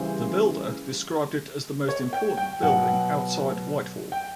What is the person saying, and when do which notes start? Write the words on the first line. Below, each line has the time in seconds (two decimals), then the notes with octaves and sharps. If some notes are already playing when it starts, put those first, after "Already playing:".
"The Builder" described it as the most important building outside Whitehall.
Already playing: C#3 E3 G3 C5
1.88 C#5
2.13 G5
2.37 G5
2.63 B2 F#3 F#5
4.12 G5